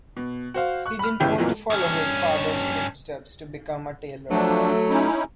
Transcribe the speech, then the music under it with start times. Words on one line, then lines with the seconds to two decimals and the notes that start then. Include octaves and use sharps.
He didn't want to follow his fathers footsteps to become a tailor.
0.17 B2
0.54 F#4 C5 F5
0.86 C#6 F#6
0.99 B5 F6
1.20 G1 C#3 E3 E4 G4 G5
1.38 B1 F2 A#2 E3 F#3
1.70 G2 C#4
4.31 F3 F#3 A3 D4
4.89 C#4 D#4 E4